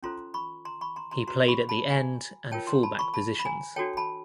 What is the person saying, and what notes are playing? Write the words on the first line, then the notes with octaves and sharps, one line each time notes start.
He played at the end and fullback positions.
C#4 F4 A4 C5 A#5 C6
B5 C#6
A#5 C6
B5 C#6
A#5 C6
A#5 C6
F#4 B4 A#5 C6
B5 C#6
A5 B5
G#5 A#5
F4 A#4 C#5 G5 A5
A#5 C6
A5 B5
B5 C#6
A5 B5
B5
G#5 A#5
D4 F#4 A4 C#5 G5 A5
A5 B5